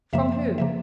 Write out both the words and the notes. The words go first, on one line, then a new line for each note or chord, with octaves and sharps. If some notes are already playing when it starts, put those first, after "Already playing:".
"From whom?"
F#2 C#3 F3 A#3 E5
C#3 F3 A#3 E5